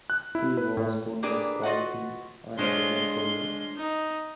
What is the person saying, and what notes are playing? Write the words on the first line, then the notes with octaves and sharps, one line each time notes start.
He was wounded fighting under Napoleon.
F#6
E4
B4
A2
A#3 D4 G4 G#4 B4
F4 F#4 B4 D#5 F#5
G#3 D4 F4 C5 C#5 C6
D#4